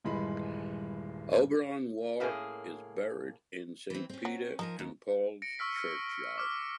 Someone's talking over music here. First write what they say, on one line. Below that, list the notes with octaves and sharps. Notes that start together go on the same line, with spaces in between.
Auberon Waugh is buried in Saint Peter and Paul's churchyard.
D#1 G2 E3 G#3 B5
A2 A#3 C#4 G4 G#4
E3 C4
C4 C#4
F#3
F3 D#4 A#4 G#5
D#2
A#6 C#7 D7
C#6 E6 F6 B6
F6
D6 F6